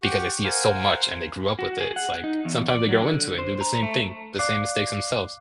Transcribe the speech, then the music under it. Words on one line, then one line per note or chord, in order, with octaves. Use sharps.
because they see it so much and they grew up with it, it's like sometimes they grow into it and do the same thing, the same mistakes themselves.
G4 F#5 C#6
A#4 C5 F5 F#5 G#5
F#4
G#4
F#5
D#4
E2
D5
F#3
D3
C5
A#5
A3
D5 F5 D6 F#6 C7